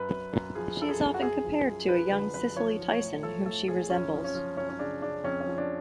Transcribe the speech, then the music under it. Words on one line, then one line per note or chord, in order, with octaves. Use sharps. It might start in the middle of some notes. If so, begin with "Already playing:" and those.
She is often compared to a young Cicely Tyson, whom she resembles.
Already playing: F#2 B4
F#2
F#2
F3 G#4
F#2 A4
G#4
F#2
F#4
F#2 G#4
F3
F#2
F3 B4
D3 B4
F#2 B4
F3 C#5
F3
C#5
A2
F3 A4
A2 A4
F3 G#4
F#2 C#4
F3
C#4
F3
F#2 C#4
C#4
C#3 D4
C#3 D4
F2 C#4
C#4
F3
D4